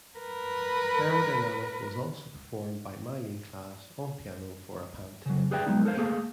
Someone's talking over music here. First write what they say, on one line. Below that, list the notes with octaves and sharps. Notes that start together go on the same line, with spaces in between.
"Aerodynamic" was also performed by Myleene Klass on piano for a Pantene commercial.
A#4 B4
C#3 F#3
G4 G#4 B4 D5 E5 G5
F#3 G#3 B3 D#4
A4 A#4 C5 F5
A3 A#3 G#4 A4 F5